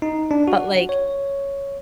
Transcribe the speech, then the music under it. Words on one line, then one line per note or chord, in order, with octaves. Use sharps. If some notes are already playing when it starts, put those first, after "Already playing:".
But like
D#4
D4
F#4
C#5